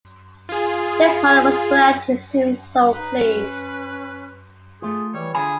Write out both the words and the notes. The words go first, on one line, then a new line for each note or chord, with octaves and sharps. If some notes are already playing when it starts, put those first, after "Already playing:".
His mother was glad, he seemed so pleased.
F4 G#4
D#4 B4
C#4
A3 F4 G#4
E3 G3 C#5
D3 F4 G#4 G#5 B5